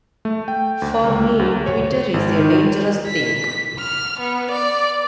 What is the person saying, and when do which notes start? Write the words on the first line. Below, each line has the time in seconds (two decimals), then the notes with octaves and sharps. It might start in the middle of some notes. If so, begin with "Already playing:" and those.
For me Twitter is a dangerous thing.
0.25 A3
0.48 G5
0.82 D2
1.04 C#2
1.39 D2
1.66 C#5
2.14 G#1
2.39 D#3
3.07 B6
3.80 F6
4.20 B3
4.51 D5